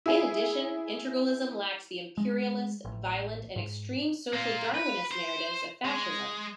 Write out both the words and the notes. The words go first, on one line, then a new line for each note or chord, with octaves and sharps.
In addition, integralism lacks the imperialist, violent, and extreme social darwinist narratives of Fascism.
E4 G#4
G#3
A1
G#2
A#3 F4
B4
C5
G#3